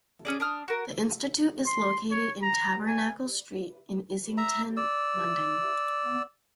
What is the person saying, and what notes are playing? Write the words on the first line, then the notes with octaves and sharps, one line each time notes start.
The Institute is located in Tabernacle Street in Islington, London.
C#4 G#4 D5
D4 D#6 F6
F#4 A#4
C6
C#5
A#5
G#5
E5 A#5
D5 E6